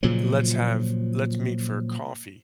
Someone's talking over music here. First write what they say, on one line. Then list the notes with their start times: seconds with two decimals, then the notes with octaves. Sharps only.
"Let's have let's meet for a coffee."
0.03 A#2 C#3 F3 F#3